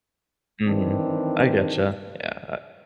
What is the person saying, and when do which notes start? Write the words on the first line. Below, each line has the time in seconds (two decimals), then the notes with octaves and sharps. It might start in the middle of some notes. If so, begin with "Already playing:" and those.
Mhm. I get you, yeah I
0.66 D#3 E3 C4 D4